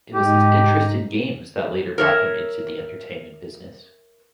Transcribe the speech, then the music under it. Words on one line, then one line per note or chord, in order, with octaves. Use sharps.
It was his interest in games that later brought him into the entertainment business.
G#2 D#4 G4
A#4 C#5 E5